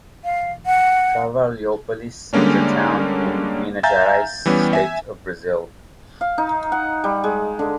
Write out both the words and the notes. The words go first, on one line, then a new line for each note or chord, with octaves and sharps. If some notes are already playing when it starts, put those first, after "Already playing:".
Carvalhópolis is a town in Minas Geraes State of Brazil.
F5
F#5
D3 G3 G#3 A#3 C#4 D4
E5 F5 G#5 A#5 G6 A6
E3 G3 B3 C#4
E5 G#5
F5
D#4
F#5
G3
G#3
D3